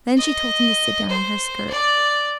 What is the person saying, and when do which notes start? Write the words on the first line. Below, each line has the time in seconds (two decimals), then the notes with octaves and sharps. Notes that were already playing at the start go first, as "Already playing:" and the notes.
Then she told him to sit down on her skirt.
0.17 D#5
1.10 C5
1.71 D5